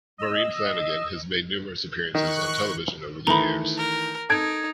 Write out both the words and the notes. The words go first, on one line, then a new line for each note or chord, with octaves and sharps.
Maureen Flannigan has made numerous appearances on television over the years.
D#5 E6
D#3 C#6 F#6
D#3 E3 A3 A#5 B5
A#4
D#4 A4 G#6 D7